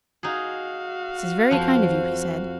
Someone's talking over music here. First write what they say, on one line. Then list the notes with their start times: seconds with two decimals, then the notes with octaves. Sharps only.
"This is very kind of you," he said.
0.23 D#4 F#4 G#4 F5
1.51 F2 F3